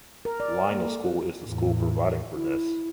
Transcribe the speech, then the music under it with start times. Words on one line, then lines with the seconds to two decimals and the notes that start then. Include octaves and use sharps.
Lionel School is the school providing for Ness.
0.25 A#4
0.40 D5
0.70 A#3
0.84 A4
1.05 F#4
1.43 E2 A2
2.35 E4